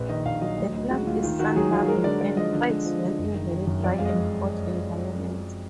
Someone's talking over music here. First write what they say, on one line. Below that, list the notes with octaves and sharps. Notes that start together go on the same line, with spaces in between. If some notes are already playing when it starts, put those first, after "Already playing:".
The plant is sun-loving, and thrives well in very dry and hot environments.
Already playing: A#1 B4
D#3 D#5
A#1 F5
F#3 D#5
D2 D#5
D2 D#5
G#3 F#4
D2 F4
D#3 F4
D#3 F#4
F#3 G#4
F#3 F4
G#4
G#3 A#4
D3 D5
G#3 D5
F3 D#5
D3
G#3
F3
D3
F#1
D#3
D#3
F#2
F2 D5
G#3 F5
D#5